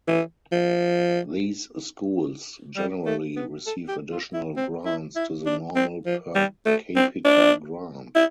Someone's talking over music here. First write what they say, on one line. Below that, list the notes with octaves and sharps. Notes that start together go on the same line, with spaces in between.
These schools generally receive additional grants to the normal per capita grant.
E3
F3
G3
A3
B3
A4
G4
F4
E4
C4
E4
E4
D4
C4
F3
G3
A3
C4
D4
E4